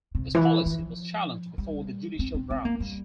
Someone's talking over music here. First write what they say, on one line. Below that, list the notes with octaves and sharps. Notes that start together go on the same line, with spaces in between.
This policy was challenged before the Judicial branch.
C3
E3
F3
G3
C4
C4
C4
A#3
G3